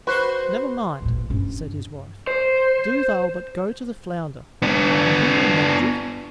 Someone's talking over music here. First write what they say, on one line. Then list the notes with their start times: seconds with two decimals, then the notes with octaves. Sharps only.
"Never mind," said his wife; "do thou but go to the flounder, and he will manage it."
0.07 F#4 B4 C5
1.02 A1 A#2
1.30 G2 C#4
2.27 C5
4.62 B3 D4